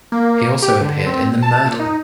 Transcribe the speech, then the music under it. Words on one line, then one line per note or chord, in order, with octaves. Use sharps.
He also appeared in the Murder!
A#3
G4
D3
C4
A5
A#2
D#4